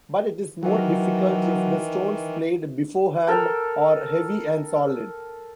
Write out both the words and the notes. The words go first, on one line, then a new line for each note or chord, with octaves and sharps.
But it is more difficult if the stones played beforehand are heavy and solid.
D#3 E3 F#3
A4 A#4 G5